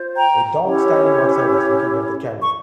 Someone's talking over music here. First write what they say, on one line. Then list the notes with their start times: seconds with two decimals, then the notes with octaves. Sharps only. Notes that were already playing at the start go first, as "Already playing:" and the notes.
A dog standing outside is looking at the camera.
Already playing: F4 C5
0.16 G5 A#5
0.63 C#4 E4 G4 C#5
2.42 C#6